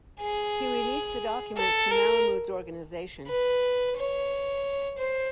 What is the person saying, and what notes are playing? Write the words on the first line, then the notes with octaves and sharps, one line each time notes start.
He released the documents to Malamud's organization.
G#4
A4
A#4
B4
C#5
C5